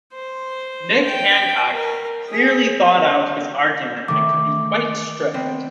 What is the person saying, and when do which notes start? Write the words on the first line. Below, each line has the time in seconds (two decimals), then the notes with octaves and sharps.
Nick Hancock clearly thought out his argument and could be quite strict.
0.13 C5
1.05 G5
1.72 A#4
2.28 G#4
4.08 D#3 A3 D6
5.34 B3 C4